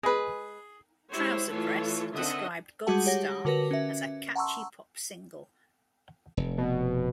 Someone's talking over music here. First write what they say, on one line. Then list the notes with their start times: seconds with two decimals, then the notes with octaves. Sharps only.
"Trouser Press" described "Godstar" as "a catchy pop single".
0.03 G#3 G#4 B4
1.11 G#3 E4 G4 C5 C#5
1.49 E3 A3 F4 A4 C#5
2.14 D3 D#3 C4 D#5 E5 F#5
2.87 G3 G#3 F#4 G#4 F#5 A5
3.06 G4 C#5 F#5 A#6
3.45 D3 F#4 A#4 B4 A#6
3.71 C#4 E5
4.35 F#5 A5 A#5 C6 C#6 E6
6.37 F1
6.58 B2